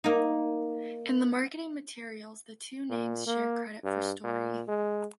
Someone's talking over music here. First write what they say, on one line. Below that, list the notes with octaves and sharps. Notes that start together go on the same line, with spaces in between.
In the marketing materials the two names share credit for story.
A#3 D#4
A#2
A#3
G2
A#2
G#3